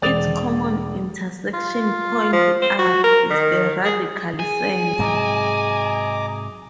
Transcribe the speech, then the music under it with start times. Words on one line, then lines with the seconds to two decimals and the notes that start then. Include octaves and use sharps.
This common intersection point r is the radical center.
0.02 E1 D5 D#6 A6 F7
1.53 F4
2.33 F3
2.62 C5
2.79 F#4
3.04 A#4
3.30 D#3
3.84 G#4
4.40 G#4 G#5
4.99 G#2 C3 F#3 D#5 A#5 D6